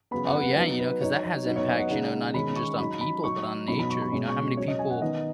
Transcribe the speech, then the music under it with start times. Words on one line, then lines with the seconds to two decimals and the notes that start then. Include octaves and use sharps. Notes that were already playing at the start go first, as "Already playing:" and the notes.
Oh, yeah, you know 'cause that has impacts, you know, not even just on people, but on nature you know how many people
0.11 C#3 F#3 B3 B5
0.27 F#5
0.41 B4
0.56 F#3 B3 D#4
0.79 B4
1.00 F#3 D#4 C#5
1.23 C#5
1.45 F#3 B3 D#4 B4
1.56 C#5
1.68 D#5
1.79 F#5
1.89 C#3 G#3 D#4 F#5
2.34 D#3 G#3 C#4 B5
2.56 C#6
2.78 F#3 D#4 B5
3.01 B5
3.23 F#3 D#4 C#6
3.68 B2 F#3 D#4 B5
3.79 B5
3.90 C#6
4.02 B5
4.12 B2 G#3 C#4
4.28 C#6
4.57 F#3 C#4 C#5
4.68 D#5
4.79 G#5
4.90 F#5
5.01 D#3 B3 D#4 D#5